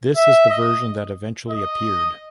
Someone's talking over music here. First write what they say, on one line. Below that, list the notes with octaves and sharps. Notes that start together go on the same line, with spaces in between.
This is the version that eventually appeared.
E5
D#5
D#5